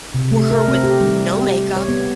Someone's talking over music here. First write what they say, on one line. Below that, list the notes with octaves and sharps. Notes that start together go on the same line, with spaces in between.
were her with no makeup,
C3
A3
A#4
C4
G4
G3
G4
C#5
B3